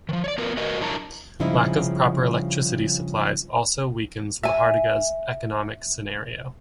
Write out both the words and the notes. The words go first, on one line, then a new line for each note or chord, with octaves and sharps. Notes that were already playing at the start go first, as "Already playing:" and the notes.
Lack of proper electricity supplies also weakens Lohardaga's economic scenario.
D#3 F3
C#5 D5
B3 F4 A#4 B4
F#4 A#4 B4 D#5
F#3 D4 E4 A#4 A5 A#5
G2 C#3 F3 G#3 D#4 E4
E5 G#5